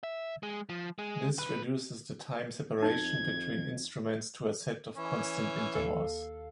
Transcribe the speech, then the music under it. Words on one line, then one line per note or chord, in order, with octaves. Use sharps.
This reduces the time separation between instruments to a set of constant intervals.
E5
G#3
F3
G#3
B1 B4
F2 D#4 G#6
E3 C#4
D#2 A4 F5